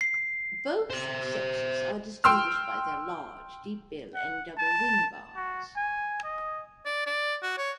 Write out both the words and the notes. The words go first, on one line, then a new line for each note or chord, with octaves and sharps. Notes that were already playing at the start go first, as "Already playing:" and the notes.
Both sexes are distinguished by their large, deep bill and double wing bars.
C7
C5 E5
G5 C6 E6 F6
F#5
A5
F#4
G#5
D#5
D5
D5
F#4
C#5